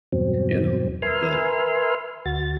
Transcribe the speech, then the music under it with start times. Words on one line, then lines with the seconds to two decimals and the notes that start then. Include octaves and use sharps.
you know, but
0.12 E2 G2 B2 F#3 C4
1.02 A#4 B4 E5 G#5 C6 F6
2.26 D2 F#4 A6